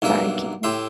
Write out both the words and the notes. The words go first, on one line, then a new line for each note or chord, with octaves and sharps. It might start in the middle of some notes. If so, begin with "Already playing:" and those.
sorry, keep going.
B1 G2 A#3 E5
A2 G4 E5 C6